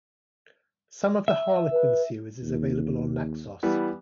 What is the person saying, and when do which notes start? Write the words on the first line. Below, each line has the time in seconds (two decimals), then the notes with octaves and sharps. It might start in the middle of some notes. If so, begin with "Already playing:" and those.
Some of the Harlequin series is available on Naxos.
1.28 E5
1.72 B4
2.43 D#2
3.63 E3 G3 B3